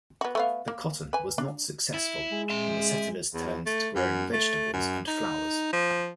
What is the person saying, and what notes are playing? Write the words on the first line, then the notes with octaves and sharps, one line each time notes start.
The cotton was not successful and the settlers turned to growing vegetables and flowers.
B3 F#4
A3 B3 F5
A#3
B4 G#5
D4
E4
G#3
E5 C6
E2
A3
F#2
A3
F#2
D#4
F3